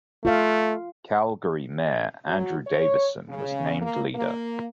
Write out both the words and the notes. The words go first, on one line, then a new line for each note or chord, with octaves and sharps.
Calgary mayor Andrew Davison was named leader.
A3 F4 F5
F#3
C#5
C#3
A#3
A#3